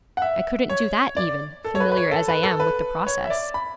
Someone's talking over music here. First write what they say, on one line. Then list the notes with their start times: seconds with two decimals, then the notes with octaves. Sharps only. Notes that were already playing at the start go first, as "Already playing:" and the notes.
I couldn't do that even, familiar as I am with the process.'
0.17 F#5
0.22 E5
0.70 C#5
1.17 D5
1.64 A4
1.75 C#5
1.80 B4
1.92 B4
1.97 C#5
2.11 A4
2.28 B4
2.43 A4
2.60 B4
3.07 C#5
3.24 E5
3.30 D5
3.54 B5